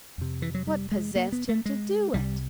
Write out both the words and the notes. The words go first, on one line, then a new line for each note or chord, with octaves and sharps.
What possessed him to do it?
F2 C3
E3
F#3
G3
G#3
A#3
B3
A3
G#3
C2 C3 G3